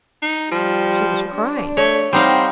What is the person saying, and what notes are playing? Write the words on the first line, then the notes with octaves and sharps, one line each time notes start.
"She was crying!"
D#4
F3 G3
D4
A3 C#5
G3 C4 D#4 F5 F#5